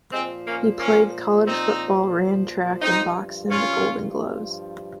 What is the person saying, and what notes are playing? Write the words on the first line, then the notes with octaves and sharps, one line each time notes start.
He played college football, ran track and boxed in the Golden Gloves.
A#2 F3 G#3 C4
A#3 C#4
A#3 C#4
C4 D#4
G2 F3 C4 D#4
C#4 F4